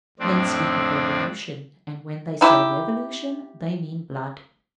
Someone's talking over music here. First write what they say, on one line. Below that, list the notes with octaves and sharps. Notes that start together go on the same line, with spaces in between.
Men speak of revolution; and when they say revolution they mean blood.
F2 A2 C4 D4
D#4 E4 G4